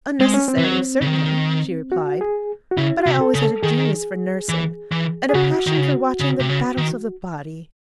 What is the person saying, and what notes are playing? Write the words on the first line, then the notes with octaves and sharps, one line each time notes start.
'Unnecessary certainly,' she replied: 'but I always had a genius for nursing, and a passion for watching the battles of the body.
G#3 C4
C#4
C4
E3
F#3
C#3
D#3
F#4
G#4
F#4
C#3 E4
F#4
C3
A4
C#3
A4
D#3 G#4
E3
E3
G#4
C#3 F#4
D#3
C#3
C#3
C3
C#3
D#3